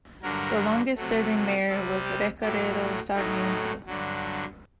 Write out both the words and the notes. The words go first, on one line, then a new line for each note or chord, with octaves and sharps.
The longest serving Mayor was Recaredo Sarmiento.
G2 D3 F#3 A#4
C3 F#3 A3
C3 G3 A4
G4
A2 F#3 A3 G4
A2 F#3 A3 D#4
G2 D3 F#3